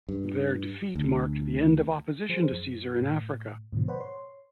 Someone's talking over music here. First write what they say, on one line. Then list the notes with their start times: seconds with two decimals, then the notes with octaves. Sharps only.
Their defeat marked the end of opposition to Caesar in Africa.
0.09 G2
0.95 D2
2.29 F3 G#4 C5
2.52 F#2
3.02 A2
3.72 G#2 B2 D3 F3
3.88 B4 C5 D5 F#5 B5
4.00 C#5 C6